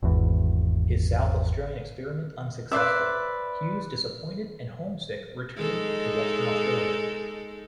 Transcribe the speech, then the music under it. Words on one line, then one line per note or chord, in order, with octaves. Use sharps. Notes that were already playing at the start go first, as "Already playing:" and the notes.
His South Australian experiment unsuccessful, Hughes-disappointed and homesick-returned to Western Australia.
G#1 E2
B4 C5 D5 E5
G#3 D#4 A4